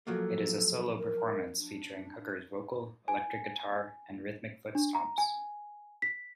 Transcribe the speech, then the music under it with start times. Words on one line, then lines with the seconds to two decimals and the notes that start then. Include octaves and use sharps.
It is a solo performance featuring Hooker's vocal, electric guitar, and rhythmic foot stomps.
0.07 F3 F#3 A#3 A4
0.97 A#4
1.57 D4
3.08 G#5
4.75 D4
4.95 A#5
5.18 G#5
6.02 B6